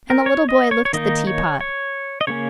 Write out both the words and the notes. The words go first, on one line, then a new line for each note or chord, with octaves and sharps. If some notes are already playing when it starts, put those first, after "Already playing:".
And the little boy looked at the tea-pot.
A#4
C#5
D#5
C#5
C#5
D#3 A#3 D#4 D#5
C#5
C#5
D#5
C#3 A#3 C#4 C#5